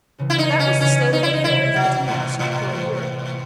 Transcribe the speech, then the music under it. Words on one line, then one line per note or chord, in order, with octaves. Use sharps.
That was the state of affairs between us up to a year ago.
C#2 C#3 E3
E4
D#4
C#4
C#2 C#3 E3 C#4
D#4
E4
D#4
C2 C3 E3 E4
F#3
C2 A2 C3 E3
A2
C2 C3 E3 G#3